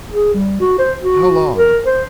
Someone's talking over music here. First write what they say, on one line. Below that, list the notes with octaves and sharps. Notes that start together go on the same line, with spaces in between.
"How long?"
G#4
G3
F#4
C5
F#4
A#4
C5